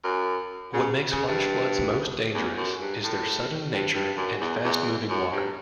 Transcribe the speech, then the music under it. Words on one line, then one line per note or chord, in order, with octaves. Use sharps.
What makes flash floods most dangerous is their sudden nature and fast-moving water.
F#2
C#3
C#3
G2
E2
F#2
G2
A2
G2
G2
F#2
E2
E2
F#2
G2